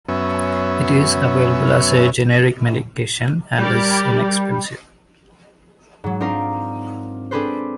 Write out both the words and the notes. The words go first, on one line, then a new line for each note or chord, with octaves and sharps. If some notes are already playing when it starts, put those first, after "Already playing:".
It is available as a generic medication and is inexpensive.
F#2 B3 C#4 E5
G3 G4 A#4 D5
G#2 F#3
C4 D4 D#4 F4 A#4
C4 D4 G#4 A4 B4 C5